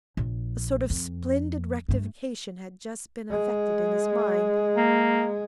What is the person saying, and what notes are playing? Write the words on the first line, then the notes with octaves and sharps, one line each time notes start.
A sort of splendid rectification had just been effected in his mind.
A#1
F2
G2 A3
G#3
A#3